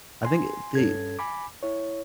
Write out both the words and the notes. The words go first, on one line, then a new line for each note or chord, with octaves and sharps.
I think, eh, they
G#5 C6
G2 C#4 A4 G#6
G#5 B5 D6
E4 C#5